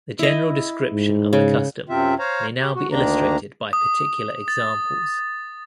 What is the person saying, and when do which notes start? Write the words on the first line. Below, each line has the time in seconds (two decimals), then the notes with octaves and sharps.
The general description of the custom may now be illustrated by particular examples.
0.19 E4 D#5
0.92 G#2
1.33 C#3
1.89 F#2 C3 C4 F4 E5
2.19 C5 C#5 F5 A#5
2.60 G4
2.76 F#4
2.92 D2 D#3 A#3 D4 A#5
3.73 D#6
4.48 A6